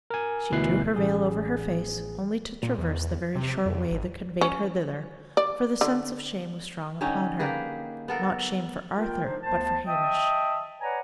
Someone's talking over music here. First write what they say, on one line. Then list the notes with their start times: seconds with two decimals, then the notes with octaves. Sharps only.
She drew her veil over her face, only to traverse the very short way that conveyed her thither, for the sense of shame was strong upon her; not shame for Arthur, but for Hamish.
0.10 A#4 G#5
0.52 D2 B2 E3 E4 F#6 C7
0.96 A1 G#4
2.63 A#2
2.78 E2
3.35 C3
3.65 F2
3.91 G#1
4.41 C#4
5.37 D5
5.81 D3
7.01 D3 G3 C#4 D#4
7.39 A#3 G4 G#4 B4
8.08 B3 A4 A#4
8.96 A#3 F4 A#4 G5
9.24 D4 D#4 C5
9.43 D2 B3 C5 A5
9.87 D#5 E5 G5 A5 D#6
10.81 B4 C#5 D5 F#5 G#5 A#5